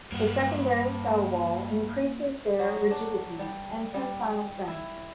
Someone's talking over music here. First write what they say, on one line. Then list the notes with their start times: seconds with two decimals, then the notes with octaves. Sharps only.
The secondary cell wall increases their rigidity and tensile strength.
0.12 G2 A#3 B4
2.59 F#3
2.91 D4
3.39 G3
3.94 G3
4.68 E4